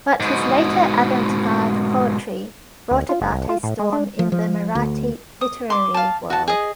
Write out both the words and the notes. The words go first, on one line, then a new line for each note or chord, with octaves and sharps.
But his later avant-garde poetry brought about a storm in the Marathi literary world.
G#2 B2
D2
F4
F#1
C2
F4
A2
G#3
D4
F3
F3
D2
D#6
C6 D6
F5 A5
F#4 A5
G#4 D#5